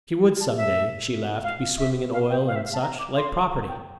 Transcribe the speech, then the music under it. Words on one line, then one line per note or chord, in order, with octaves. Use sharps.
She would some day, she laughed, be swimming in oil and such like property.
A5
E5
F5
E5
F5
G5
F5
E5
F5
A5
A#5
D6
C6
A#5
G5